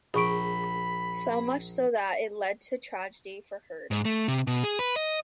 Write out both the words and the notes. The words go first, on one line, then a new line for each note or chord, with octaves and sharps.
So much so that it led to tragedy for Heard.
A#1 G#4 B5 C#6 D7
G#2
A3
C3
B2
G#4
B4
D#5